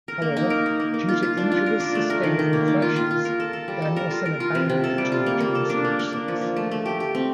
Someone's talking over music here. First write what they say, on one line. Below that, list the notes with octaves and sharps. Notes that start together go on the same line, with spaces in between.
However, due to injuries sustained from crashes, Danielson abandoned the Tour during stage six.
A#4
A#3
D#4
A#4
A#3
A#3
A#3
F4
F4
D4
F4
A#4
D4
A3
A#4
D#3
D#3
A#3
D#3
F4
F4
F4
A#4
A4
A4
G3
A4
A#4
F4
A#4
F4
C3
C3
A4
G3
F4
A#3
A#3
A4
D4
A#3
A#3
D4
F3
F3
A3
A3
G4
G4
C4